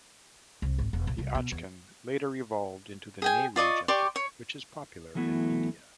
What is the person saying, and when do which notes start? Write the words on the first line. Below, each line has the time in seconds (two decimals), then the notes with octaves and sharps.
The achkan later evolved into the Nehru Jacket, which is popular in India.
0.62 C2
0.78 G#1
0.93 E1
1.07 B1
1.18 C2
1.35 B2
1.52 E2
3.22 G#4 G5 G#5
3.56 F4 D5 D#5 C#6
3.88 G4 D5 C6 C#6
4.16 C#5
5.15 E3 F#3 A3 B3 E4